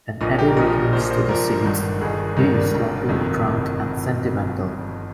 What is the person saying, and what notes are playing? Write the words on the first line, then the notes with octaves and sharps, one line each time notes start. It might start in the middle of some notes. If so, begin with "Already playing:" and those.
When Eddie returns to the seats, he is sloppy drunk and sentimental.
A#1 A#2 F3 D#5
G4
A#4
A#1 A#2 F3 D#5
A#1 A#2 F3 C5
C5
A#1 A#2 F3 A#4
G1 G2 D#3
G1 G2 D#3 G#4
G1 G2 D#3 D#5
D5
G1 G2 D#3
G1 F2 C3 D#3